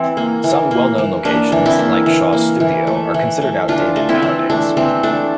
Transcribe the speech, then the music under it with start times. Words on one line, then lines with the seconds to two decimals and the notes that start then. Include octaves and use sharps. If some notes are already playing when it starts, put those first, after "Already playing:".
Some well-known locations, like Shaw's Studio are considered outdated nowadays.
Already playing: E3 C4 E4
0.17 A#3
0.44 E3
0.71 A#3
0.98 E3
1.25 A#3 D4
1.52 E3
1.66 C4 E4
1.79 A#3
2.06 E3
2.33 A#3
2.60 E3
2.87 A3
3.14 E3
3.41 A3
3.68 E3 D4 F4
3.96 A3
4.09 C4 E4
4.22 E3
4.50 A3 D4
4.77 E3 C4
5.03 A3 D4